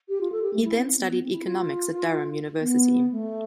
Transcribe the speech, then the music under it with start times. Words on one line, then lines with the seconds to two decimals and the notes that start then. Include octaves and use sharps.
He then studied Economics at Durham University.
0.09 G4
0.21 F4
0.32 A4
0.42 G4
0.54 A3
0.65 E4
0.77 C4
0.88 C4
0.99 B3
1.11 B3
1.22 C4
1.32 E4
1.44 F4
2.61 B3
3.12 A3